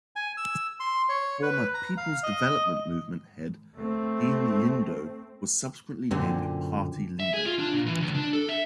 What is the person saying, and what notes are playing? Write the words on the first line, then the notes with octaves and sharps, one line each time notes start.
Former People's Development Movement head Dean Lindo was subsequently named party leader.
G#5
E6
C6
C#5
B4
A#5
F5
D#5
A3 C4
F#2 A#2 D3 C4
E5
G#4
F4
D4
A#2
E3
C#2
D4
A4
E5